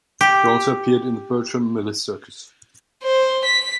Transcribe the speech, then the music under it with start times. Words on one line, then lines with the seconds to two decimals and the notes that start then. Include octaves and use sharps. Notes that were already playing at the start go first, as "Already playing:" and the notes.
He also appeared in the Bertram Mills Circus.
0.21 G4
3.03 C5
3.45 B6